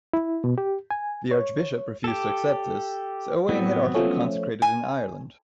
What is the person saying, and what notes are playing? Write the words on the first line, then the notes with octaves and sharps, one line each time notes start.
The archbishop refused to accept this, so Owain had Arthur consecrated in Ireland.
E4
B2
G4
G#5
C#5
G4 A4
A2 F#3 B3 C4
F3 A3 C#4
G#5